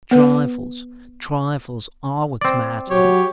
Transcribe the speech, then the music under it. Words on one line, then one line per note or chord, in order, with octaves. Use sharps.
Trifles, trifles are what matter!
B3 B4
C4 D5
F#3 G4 C#5